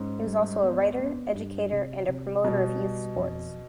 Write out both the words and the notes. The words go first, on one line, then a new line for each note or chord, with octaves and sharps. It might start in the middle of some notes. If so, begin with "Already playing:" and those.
He was also a writer, educator, and a promoter of youth sports.
Already playing: G#2 G#3 C#4
G3
B3
B3
G2
C3
C3
B2 G3
G3
F2